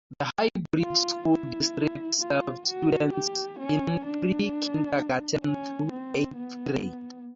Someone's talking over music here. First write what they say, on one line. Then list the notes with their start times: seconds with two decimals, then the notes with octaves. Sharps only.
The High Bridge School District serves students in pre-kindergarten through eighth grade.
0.82 F4
1.28 E4
2.20 F4
2.67 F#4
3.13 G4
3.59 C#4
4.05 D4
5.44 C#4
5.91 C4
6.37 B3